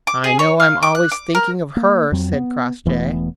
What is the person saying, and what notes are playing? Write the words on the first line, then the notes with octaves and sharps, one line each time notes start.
"I know I'm always thinking of her," said Crossjay.
D6
G#4
C#5
F5
D6
F#6
D6
A#4
A#3
F2 F#3 C4
B3
E1 E3 A3 B3